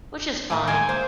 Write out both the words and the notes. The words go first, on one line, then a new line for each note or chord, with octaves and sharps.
Which is fine.
A2 A#3
G#3 C5 G5 G#5
A#3 C5